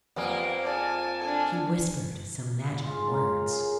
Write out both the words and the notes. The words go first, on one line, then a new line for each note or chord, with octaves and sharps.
She whispered some magical words.
F2 G3 A#3 B3 G#5
G#4 D5 G#5 A5
D4 A4 G#5
G#3 F4
C#3 F4 A#4
G#4